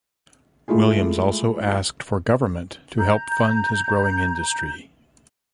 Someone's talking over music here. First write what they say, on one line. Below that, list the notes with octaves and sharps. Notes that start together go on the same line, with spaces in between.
Williams also asked for government to help fund his growing industry.
G#3 A3 E4 F4 G#4
A#5 G6